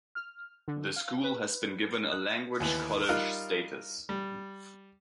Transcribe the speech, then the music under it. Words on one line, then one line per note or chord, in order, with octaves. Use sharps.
The school has been given a Language College status.
F6
D3
F5
B4
F#6
D#2 E3 B3
G3 D#4 F4 A#4 F6 F#6
G3